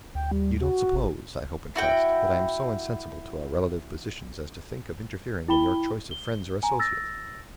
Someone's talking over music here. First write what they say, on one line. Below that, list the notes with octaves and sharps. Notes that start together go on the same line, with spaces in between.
You don't suppose, I hope and trust, that I am so insensible to our relative positions as to think of interfering in your choice of friends or associates.
D2 G5
D#2 G3
F#4
G#1
E4 F#4 G5
E4 G5 B5 G7
G7
G#5 A#5
E6 A6 A#6